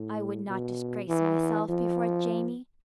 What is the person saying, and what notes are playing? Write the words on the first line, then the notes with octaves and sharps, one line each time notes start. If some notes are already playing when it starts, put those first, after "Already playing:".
I would not disgrace myself before Jamie.
Already playing: A2
B2
E3
F3